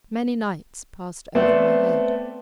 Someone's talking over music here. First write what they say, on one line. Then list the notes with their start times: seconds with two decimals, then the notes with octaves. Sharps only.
Many nights passed over my head.
1.35 A3 B3 C4 C5 D5